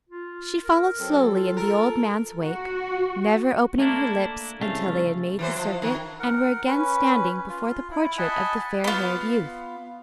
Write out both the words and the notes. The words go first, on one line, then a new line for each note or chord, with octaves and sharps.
She followed slowly in the old man's wake, never opening her lips until they had made the circuit and were again standing before the portrait of the fair-haired youth.
F4
A#4
F#3 C4 A4
F4 A4
A#4
F#4
A3 A#3 D4 E4
C2 C#3 A3 F5
E3 F#3 C5
F3
D#3
A#4 F#5
C#4 B4
F4
E4
D#5 F#5 G#5 A5 B5
B3 F4